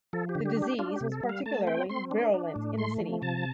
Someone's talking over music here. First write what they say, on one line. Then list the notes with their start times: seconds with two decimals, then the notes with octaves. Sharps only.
The disease was particularly virulent in the city.
0.13 F3 A4
0.29 G4
0.35 D3
0.45 G4
0.57 D4
0.62 G4
0.79 D4 F4
0.96 C3 G4
1.12 A4
1.24 G3
1.29 F5
1.46 A3 A5
1.67 C4 G5
1.89 C4 C6
2.11 D4
2.34 D4
2.56 A2
2.78 A3 C6
3.00 F3
3.22 C3 A5